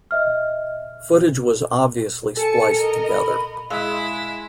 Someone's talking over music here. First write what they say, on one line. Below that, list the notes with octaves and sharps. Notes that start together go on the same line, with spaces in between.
Footage was obviously spliced together.
D#5 E5 F6
A4 G#5 A5 C#7
A#4 D#5
B5
G#3 E4 E5 F5 E6